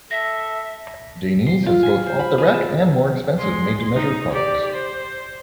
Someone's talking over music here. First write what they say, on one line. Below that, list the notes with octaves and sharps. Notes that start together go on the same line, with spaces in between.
Dainese has both off-the-rack and more expensive made to measure products.
A4 E5 A#6
C6
F4
G#5
C5
B5
G#3
A5
G#3 C6
D#4
G4 D5
C5